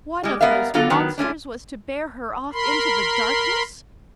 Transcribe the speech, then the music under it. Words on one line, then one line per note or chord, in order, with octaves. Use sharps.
One of those monsters was to bear her off into the darkness?
G3 G#3
G3 B3 A#4 E5 F5
D3 F#3 F4 A4
D#3 F#3 B3
G#3 A3 C#4 D4
A#4 B5 C6